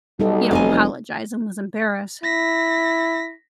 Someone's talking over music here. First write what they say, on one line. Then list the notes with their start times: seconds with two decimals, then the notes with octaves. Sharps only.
you know, apologized and was embarrassed.
0.20 B1 G3 D#4 A4
0.51 F1 F4 D#5 G#5
2.23 E4 A#6 B6